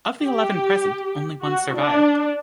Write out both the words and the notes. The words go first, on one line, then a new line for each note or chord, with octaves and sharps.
Of the eleven present, only one survived.
G4
F#4
D4